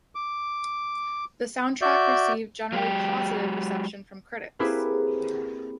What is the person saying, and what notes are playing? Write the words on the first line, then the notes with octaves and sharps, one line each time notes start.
The soundtrack received generally positive reception from critics.
D6
F#4 D5 E5 G6
F#3 G#3 G4
A#3 C4 E4 G4 G#4 B4